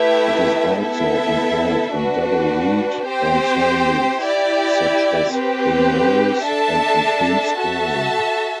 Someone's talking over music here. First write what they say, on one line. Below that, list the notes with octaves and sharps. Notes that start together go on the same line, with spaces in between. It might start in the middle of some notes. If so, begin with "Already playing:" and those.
It is also employed in double-reed ensembles such as Amoris, and in film scoring.
Already playing: A3 E4 G4 B4 E5
B3 E4 A4 E5
D4 F#4 B4
C4 G4 C5 G5
E4 G4 D5
C4 G4 B4
D4 A4 E5 A5
F#4 A4 E5 A5